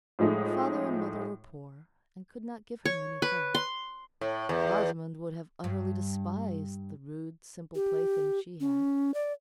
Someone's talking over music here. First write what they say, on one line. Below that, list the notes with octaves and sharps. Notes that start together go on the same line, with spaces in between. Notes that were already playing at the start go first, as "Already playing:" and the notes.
Her father and mother were poor, and could not give her many things. Rosamond would have utterly despised the rude, simple playthings she had.
A2 F3 G#3 A3 D#4
C#5
B4
C6
A2
E2
G2
G4
C#4
D5